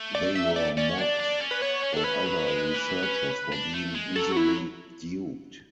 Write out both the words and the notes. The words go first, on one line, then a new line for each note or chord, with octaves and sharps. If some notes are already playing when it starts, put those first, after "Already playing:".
They were mocked by other researchers for being easily duped.
Already playing: A3
D5
E5
D5
C#4 D5
C#5
D4 D5
D4
C#4
B4
B3 C#5
C#4
D4 A4
C#4 B4
F#3
G#3
E3
C#4
D4
A3
G#3
F#3 A4
F#4
E4